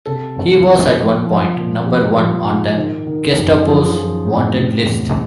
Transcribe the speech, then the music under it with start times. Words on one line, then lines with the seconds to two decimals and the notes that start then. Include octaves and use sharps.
He was, at one point, number one on the Gestapo's wanted list.
0.06 C3 A4
0.36 F2
0.66 F3
0.96 F3
1.27 F3
1.56 A#2
1.86 F3 G4
2.16 F3
2.47 G#2
2.76 D#3
3.07 D#3
3.37 F#2
3.66 F3 G#4
3.96 F3
4.26 A2
4.57 C3
4.86 E2